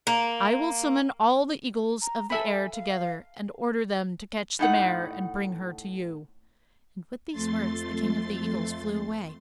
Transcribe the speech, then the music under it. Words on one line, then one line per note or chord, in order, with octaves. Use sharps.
I will summon all the eagles of the air together, and order them to catch the mare and bring her to you.' And with these words the King of the Eagles flew away.
A#3
A#5
A4 E5 G#5 B5
F5
A2 D#4 F#5
F2 A3 C6 A6